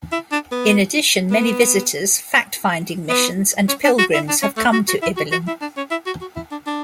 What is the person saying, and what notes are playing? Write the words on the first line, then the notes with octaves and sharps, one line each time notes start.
In addition, many visitors, fact-finding missions, and pilgrims have come to Ibillin.
E4
D4
B3
B3
B3
C#4
D4
F#4
E4
D4
C#4
A3
F#4
F#4
E4
F#4
F#4
E4
D4
C#4
E4
F#4
F#4
E4
D4
D4